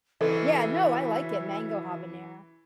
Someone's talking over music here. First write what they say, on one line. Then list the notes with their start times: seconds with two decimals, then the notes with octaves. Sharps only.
Yeah, no, I like it, Mango Habanero.
0.21 C#3 E3 F#3 C4 E4 A4 D#5